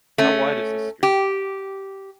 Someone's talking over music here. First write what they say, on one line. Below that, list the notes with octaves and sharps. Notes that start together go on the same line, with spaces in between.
How wide is this street?
A3 C#4
G4